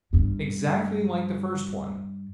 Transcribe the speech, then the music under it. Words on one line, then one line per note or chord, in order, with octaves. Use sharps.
Exactly like the first one.
G2 D4